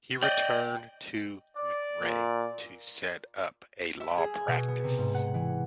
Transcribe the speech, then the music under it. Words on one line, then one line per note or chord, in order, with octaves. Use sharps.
He returned to McRae to set up a law practice.
D5 D#5 G5
D5
A#2
E5
G#4
G#6
B2
B3
C3
G#2
F#5
E3